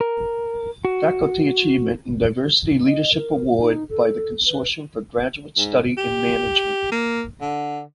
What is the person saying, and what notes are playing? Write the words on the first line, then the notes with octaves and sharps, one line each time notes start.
Faculty Achievement and Diversity Leadership Award by the Consortium for Graduate Study in Management.
A#4
F#4
D#5
A#4
D#4
A4
B4
G#2
G4
A#3
D3